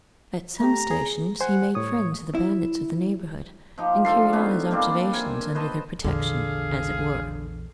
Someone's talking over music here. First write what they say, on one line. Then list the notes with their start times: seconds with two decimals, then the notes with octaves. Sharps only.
At some stations he made friends of the bandits of the neighborhood, and carried on his observations under their protection, as it were.
0.60 A3 G4 A#5
0.91 G#4
1.41 C5 F#5 G#5
1.75 A2 C#5 D#6
2.35 E4
3.78 F3 D#4 G4
4.05 D3 A4 F5 C6
4.33 B3 C#4 D#4
4.71 G3 A#3 C4 D4
5.13 A#4 C5 G#5
5.55 B4 C5 D#5 A5
6.04 A#1 E2 D3 G#4 F5